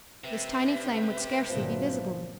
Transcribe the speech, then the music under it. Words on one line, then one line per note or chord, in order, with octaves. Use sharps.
This tiny flame would scarcely be visible.
C3 G4 B4 E5
G1 A#2 F3 F#3